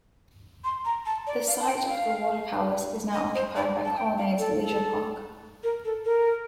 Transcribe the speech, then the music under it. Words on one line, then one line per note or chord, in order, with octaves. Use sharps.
The site of the Water Palace is now occupied by Colonnades Leisure Park.
C6
A#5
A5
D5
F5
A5
G5
F5
D#5
C5
D5
A5
G5
F5
A4
A4
A#4
A4
A#4